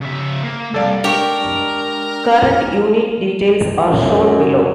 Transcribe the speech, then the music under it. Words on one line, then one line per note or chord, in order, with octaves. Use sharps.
Current unit details are shown below.
C#3 E5
A#3
C2 A4 D5 F5
G#3 D4 G4 A#4 C#6
F#2